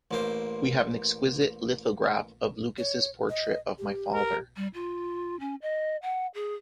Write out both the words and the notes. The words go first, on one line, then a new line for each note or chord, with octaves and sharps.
We have an exquisite lithograph of Lucas's portrait of my father.
A1 A#3 C5
C#5
D#5
G4
A#4
G3
F4
C#4
D#5
F#5
G#4